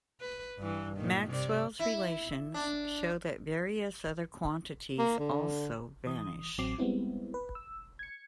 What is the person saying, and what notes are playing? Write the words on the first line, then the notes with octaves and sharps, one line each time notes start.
Maxwell's relations show that various other quantities also vanish.
B4
G2 E3
A#2 D#3
C3 D5
E4
D4
A#3
D3
E3 D#6
A1 F#3 C4 D6 C7
G3 G#3 B3 C4 E4
B4
E6
G#6 C#7